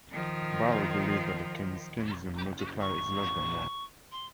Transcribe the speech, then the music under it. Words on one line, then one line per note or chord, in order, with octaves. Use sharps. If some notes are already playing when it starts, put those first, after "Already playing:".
Barro believes that the Keynesian multiplier is less than one.
D#3 F3
C#6
C6